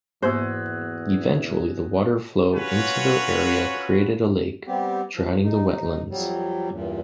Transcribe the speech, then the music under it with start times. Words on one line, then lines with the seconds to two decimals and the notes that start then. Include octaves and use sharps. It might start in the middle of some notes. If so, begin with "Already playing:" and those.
Eventually the water flow into the area created a lake, drowning the wetlands.
0.22 E2 G#2 A#3 B3 F#4 G#4 C5 E5
2.54 C#4 F4 F#4 B4 C#5
4.67 G3 B3 C4 G4
5.14 F3
5.44 D#4
6.10 F2 F#3 G3
6.71 E2 G2 A#2